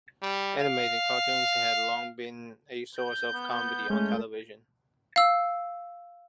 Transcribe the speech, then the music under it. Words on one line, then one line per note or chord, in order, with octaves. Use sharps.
Animated cartoons have long been a source of comedy on television.
G3
F5
G6
B3
G#3 A3 C#4
F5 E6